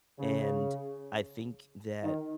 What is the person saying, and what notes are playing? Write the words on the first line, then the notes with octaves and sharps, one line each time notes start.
and I think that
C#3
D#3